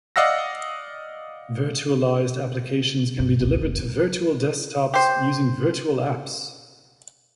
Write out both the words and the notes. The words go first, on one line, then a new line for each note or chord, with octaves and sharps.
Virtualized applications can be delivered to virtual desktops using Virtual Apps.
D5 D#5 F5 F#5 E6 A#6
G2
G#1 D2
F1
F#3
G4 C5